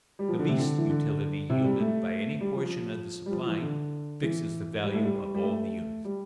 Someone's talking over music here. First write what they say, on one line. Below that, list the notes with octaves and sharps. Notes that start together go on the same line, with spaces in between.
The least utility yielded by any portion of the supply fixes the value of all the units.
G3
F3
D3
C3
D3
E3
D3
C3
G3
A3
G3
F3
G3
F3
E3
D3
E3
G3
A3
G3
G3
A3
G3